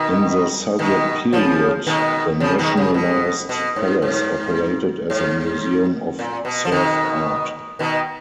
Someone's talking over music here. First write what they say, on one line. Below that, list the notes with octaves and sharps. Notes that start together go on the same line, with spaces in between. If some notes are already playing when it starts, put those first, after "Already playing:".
In the Soviet period the nationalized palace operated as a museum of serf art.
Already playing: B2 D#3
B2 D#3
C#3 F3
B2 D#3
C#3 F3
B2 D#3
C#3
B2
B2
G#2
G#2
G#2
A#2
B2
F3
B2 D#3
B2 D#3